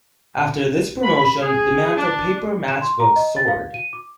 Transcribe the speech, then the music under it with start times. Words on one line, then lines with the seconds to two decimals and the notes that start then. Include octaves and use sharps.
After this promotion, demand for paper matchbooks soared.
1.03 B5
1.41 G#4
1.96 D4
2.68 E7
2.81 C6
3.00 A#5
3.16 D#5
3.37 A6
3.48 F5
3.74 D#7
3.93 D6